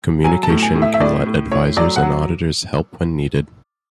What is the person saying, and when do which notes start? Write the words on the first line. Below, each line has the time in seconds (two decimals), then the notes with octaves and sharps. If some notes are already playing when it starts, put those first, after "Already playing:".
Communication can let advisors and auditors help when needed.
0.24 F#3 G#5
0.43 A5
0.50 A2
0.62 G#5
0.75 A2
0.82 E5
0.94 E5
1.00 A2 D5
1.26 A2
1.52 A2 C#5
1.76 F#3 D5
1.96 F#5
2.03 F#3